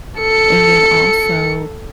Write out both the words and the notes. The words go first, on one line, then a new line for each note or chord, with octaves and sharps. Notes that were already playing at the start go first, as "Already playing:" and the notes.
and then, also
A4 C#7